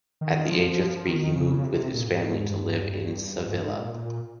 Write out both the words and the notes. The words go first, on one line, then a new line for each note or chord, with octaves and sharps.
At the age of three, he moved with his family to live in Sevilla.
D#3
F3
F3
D#3
C#3
C3
A#2
G#2
G2
G2
G2
G2
G2
G#2
G2
G#2
A#2
A#2